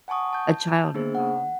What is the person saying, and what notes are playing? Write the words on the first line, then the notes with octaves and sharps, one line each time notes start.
a child involved.
F#5 G#5 A5 C#6 D#6
A5 G6
A#3 B3 D4 G#4 C5
F#5